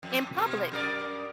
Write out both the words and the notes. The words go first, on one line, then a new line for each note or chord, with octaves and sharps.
In public.
F2
B2
F#2 A#4 D5